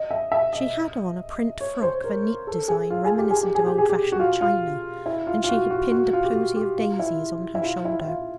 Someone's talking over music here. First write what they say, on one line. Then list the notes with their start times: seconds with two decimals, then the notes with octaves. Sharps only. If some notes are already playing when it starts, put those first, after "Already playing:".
She had on a print frock of a neat design reminiscent of old-fashioned china, and she had pinned a posy of daisies on her shoulder.
Already playing: D#5
0.11 E5
0.32 E5
0.53 D#5
1.61 C#5
1.83 C5
2.04 A#4
2.47 A4
2.68 G#4
2.90 F4
3.05 G#4
3.19 G4
3.30 G#4
3.43 G4
3.55 G#4
3.66 G4
3.78 G#4
3.89 G4
4.12 F#4
4.19 F4
4.41 F4
5.06 E4
5.27 F4
5.44 F4
5.49 F#4
5.70 F#4
5.91 F#4
6.13 F4
6.24 G4
6.34 F#4
6.56 G4
6.78 F4
6.99 E4
7.55 E4
7.64 F4
7.85 E4
8.00 E4
8.07 F4